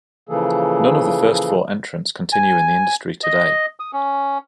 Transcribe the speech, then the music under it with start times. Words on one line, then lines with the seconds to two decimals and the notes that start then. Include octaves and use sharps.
None of the first four entrants continue in the industry today.
0.29 C#3 E3 F3 A#3 G#4 A4
2.33 G#5
3.23 D#5
3.80 D#6
3.93 C#4